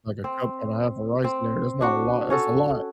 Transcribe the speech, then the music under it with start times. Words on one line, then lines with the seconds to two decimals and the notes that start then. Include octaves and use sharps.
like a cup and a half of rice in there, that's not a lot that's a lot,
0.24 C4
1.24 C4
1.81 D4 F#4 F#5
2.30 C#4 F#4 A4